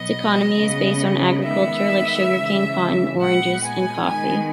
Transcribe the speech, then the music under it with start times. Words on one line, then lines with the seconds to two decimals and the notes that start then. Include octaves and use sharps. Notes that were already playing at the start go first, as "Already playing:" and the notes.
Its economy is based on agriculture, like sugar cane, cotton, oranges, coffee.
Already playing: B2 F#3 B3 D#5
0.57 C#3 G#3 B3
1.44 D#3 G#3 B3 E5
2.32 C#3 E3 G#3
3.19 A#2 G#3 B3 F#5
3.63 G#5
4.07 D#3 G#3 B3 G#5